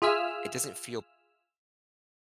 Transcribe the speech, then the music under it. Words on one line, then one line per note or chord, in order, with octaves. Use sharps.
it doesn't feel
F4 G#4 E5 G#5 E6 F6